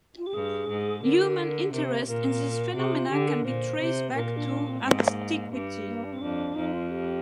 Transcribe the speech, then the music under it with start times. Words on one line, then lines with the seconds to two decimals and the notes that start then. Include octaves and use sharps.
Human interest in these phenomena can be traced back to antiquity.
0.18 F4
0.27 G4
0.34 G2 G#4
0.69 G#2
1.03 D3 A#4
1.73 C3 A#4
1.85 C5
1.95 A#4
2.08 A#2 A#4
2.76 C3 G#4
2.94 F4
3.10 D3 G4
3.28 A#4
3.45 A#2 C5
3.80 C3
4.14 A#2 A#4
4.25 A#4
4.37 D4
4.48 D4
4.67 C4
4.83 G#2 C4
5.00 A#3
5.53 G2
5.88 A#3
6.04 D4
6.13 C4
6.21 F2 D4
6.56 F2 D#4
6.73 F4
6.90 G4